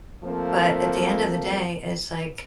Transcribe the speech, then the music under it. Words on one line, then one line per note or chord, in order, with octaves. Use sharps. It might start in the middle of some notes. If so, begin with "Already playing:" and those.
but at the end of the day, it's like,
F3 A3 A#3 C4